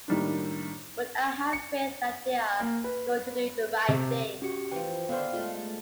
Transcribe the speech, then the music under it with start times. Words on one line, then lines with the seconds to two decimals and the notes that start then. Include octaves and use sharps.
But I have faith that they are going to do the right thing.
0.08 A2 D#3 G3 A#3 D4
1.53 C#7
2.60 A#3
2.84 B4
3.88 C3
4.42 C#4 F#4 G4 C#7
4.72 E3 F3 F4 G5
5.09 D3 D#3 B3 C5 F5
5.33 G#3 A3 F4